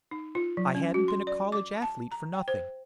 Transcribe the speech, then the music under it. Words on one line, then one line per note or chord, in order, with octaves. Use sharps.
I hadn't been a college athlete for nothing.
D#4
F4
F#3
C#4
F#4
C6
D5
D6
A5
A#5
G5
C5